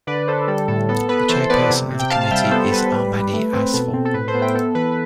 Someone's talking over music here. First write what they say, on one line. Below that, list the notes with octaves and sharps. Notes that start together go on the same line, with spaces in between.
The Chairperson of the Committee is Armany Asfour.
D3 B4 D5
D3 A4 C5
G3 A4
A2 A4
B3 A4
B3 B4
E3 A4 C5
B3 B4 D5
C3
C3
G5
C3 F5 A5
F5
G3 E5 G5
B3 A4 C5
A4
B3 B4
G3
G3
A3
C4
B2 A4
C4
A4
A2 B4
A4 C5
B3
E5 G5
B3 A4
E3 B4